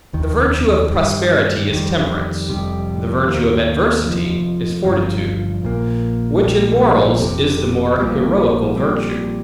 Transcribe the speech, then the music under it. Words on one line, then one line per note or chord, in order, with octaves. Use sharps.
The virtue of prosperity, is temperance; the virtue of adversity, is fortitude; which in morals is the more heroical virtue.
F1 D#2 D#3
G2 D#3 G3
F2 D#3 G3
F1 F2 C3 G3
D#2 D#3 A#3
F1 F2 F3
G1 G2 F3
A#1 A#2 A#3
A#1 A#2 G3
F1 F2 C3
A#1 A#2 G3 A#3
A#1 A#2 G3 C4